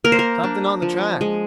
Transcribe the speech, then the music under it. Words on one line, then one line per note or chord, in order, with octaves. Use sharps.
Something on the track.
A#3 A#4
C5
A#4
D4
F3
G#3